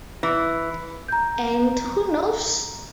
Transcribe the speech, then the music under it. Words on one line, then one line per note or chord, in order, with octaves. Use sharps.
And who knows...?
E3
A#5 G6